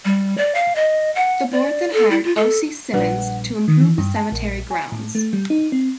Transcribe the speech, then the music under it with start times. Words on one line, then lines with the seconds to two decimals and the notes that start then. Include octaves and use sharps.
The board then hired O. C. Simonds to improve the cemetery grounds.
0.05 G3
0.38 D5
0.55 F5
0.76 D#5
1.15 F#5
1.52 D5
1.93 A4
2.11 E4
2.25 F4
2.36 A4
2.94 A#1 G3 D4 B4 D5 F#5
3.68 D#3
3.80 E3
3.98 G2
4.16 A5
4.32 A#1
4.71 G#5
4.92 A2
5.15 A3
5.33 G3
5.50 D#4
5.72 C4